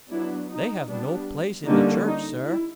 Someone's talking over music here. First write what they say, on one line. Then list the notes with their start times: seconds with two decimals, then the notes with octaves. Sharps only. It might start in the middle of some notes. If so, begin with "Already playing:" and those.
They have no place in the church, sir!
0.11 F#3 B3 D4 E4
0.51 D#4
0.89 G3 B3 D4
1.67 D3 G3 A#3 C#4 D#4
2.07 D#4
2.45 E4